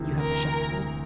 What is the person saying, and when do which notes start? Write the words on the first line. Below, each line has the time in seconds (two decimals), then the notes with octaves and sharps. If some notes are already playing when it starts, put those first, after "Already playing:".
you have the shotguns?
Already playing: D2 C3 E3
0.21 A#4